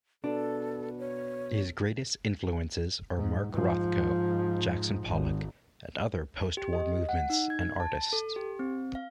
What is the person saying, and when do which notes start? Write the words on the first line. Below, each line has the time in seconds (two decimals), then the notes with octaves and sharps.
His greatest influences are Mark Rothko, Jackson Pollock, and other post-war movements and artists.
0.24 B2 D4 A4
0.99 C#5
3.17 G#2
3.54 G#2 F3
5.08 G#1
6.57 G4
6.73 D#5
7.09 F#5
7.30 D#4
7.50 G#6
7.80 A5
8.13 A4
8.36 G4
8.59 C4
8.95 F5